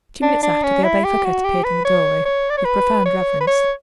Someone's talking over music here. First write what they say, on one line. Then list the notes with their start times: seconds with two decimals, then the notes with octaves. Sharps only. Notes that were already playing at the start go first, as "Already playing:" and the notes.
Two minutes after, the Abbe Fouquet appeared in the doorway, with profound reverence.
0.23 D4
0.43 D4
0.63 C#4
0.84 E4
1.04 G4
1.25 F#4
1.44 G4
1.64 B4
1.85 C#5
2.25 C#5
2.50 D5
2.58 C#5
2.65 B4
3.06 C#5
3.41 B4
3.47 C#5